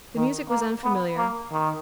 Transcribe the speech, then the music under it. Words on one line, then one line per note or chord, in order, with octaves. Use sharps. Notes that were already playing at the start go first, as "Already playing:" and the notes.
The music was unfamiliar.
D#3
A#3
B3
A#3
D#3